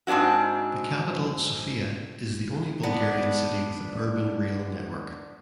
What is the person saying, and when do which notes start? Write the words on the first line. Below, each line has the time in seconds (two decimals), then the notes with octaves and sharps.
The capital Sofia is the only Bulgarian city with an urban rail network.
0.07 G#2 C4 D4 E4 F#4
2.83 B3 D4